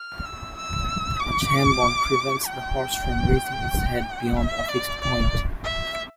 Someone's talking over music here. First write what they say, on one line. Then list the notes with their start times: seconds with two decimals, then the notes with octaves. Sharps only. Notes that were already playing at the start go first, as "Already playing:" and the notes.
A chambon prevents the horse from raising its head beyond a fixed point.
Already playing: F6
0.25 E6
0.57 E6
1.20 D6
2.47 G5
4.36 E5
4.69 D5
5.01 D5
5.64 E5